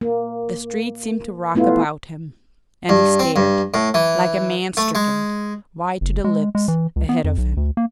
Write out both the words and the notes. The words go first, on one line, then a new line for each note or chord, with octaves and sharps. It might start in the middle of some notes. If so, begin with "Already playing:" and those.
The street seemed to rock about him--and he stared, like a man stricken, white to the lips, ahead of him.
A#3
A3 B3 E4 F4
G2
C4
G2
A2
E3
A3
G#3
F#1
G#3
G#3
E3
C#2
B3
F2
B1
D2
A#3